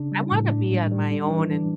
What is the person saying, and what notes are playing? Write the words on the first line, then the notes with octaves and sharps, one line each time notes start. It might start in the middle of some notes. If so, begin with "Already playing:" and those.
I wanna be on my own, and
Already playing: C#3 D4
G3
A2
D4
G3
G3
D4
E3
D4